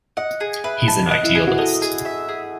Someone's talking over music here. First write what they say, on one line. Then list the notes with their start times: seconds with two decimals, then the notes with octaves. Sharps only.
He's an idealist.
0.17 D#5 F#5
0.40 G#4
0.64 B4 E5
0.88 A5
1.11 D#5 F#5
1.23 E4
1.35 E4 G#4
1.47 F#4
1.58 A4 D#5
1.82 G#4
2.05 E5
2.29 G#4